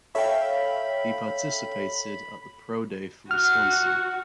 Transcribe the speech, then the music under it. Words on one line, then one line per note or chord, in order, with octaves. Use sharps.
He participated at the pro day for Wisconsin.
A4 C#5 E5 F5 G5 B5
F#4 F#5 F6